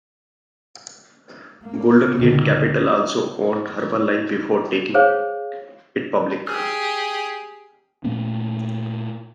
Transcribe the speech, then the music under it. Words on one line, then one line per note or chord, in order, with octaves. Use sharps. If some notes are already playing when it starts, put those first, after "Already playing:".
Golden Gate Capital also owned Herbalife before taking it public.
A#3
C#2 A#2 D3 D#3
G#4 C5 C#5 F5
G4 G#4
A#2 A3 A#3 C#4